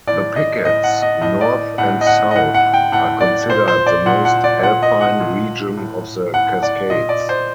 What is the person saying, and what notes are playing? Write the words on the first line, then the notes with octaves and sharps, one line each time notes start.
The Pickets, north and south, are considered the most Alpine region of the Cascades.
A2 D5
D#5
A2 D#5
F#5
D#5
A2 D#5
D5
A2 F#5
D#5
F#5
D#5
A2 F#5
F#5
G5
A2 F#5
D5
A#2 C5
C5
D5
A#2 F#5
F#5
D5
A#2 F#5
D#5
F#5
A#2
A2
A2 F#5
D5
A#2 D#5
D5
C5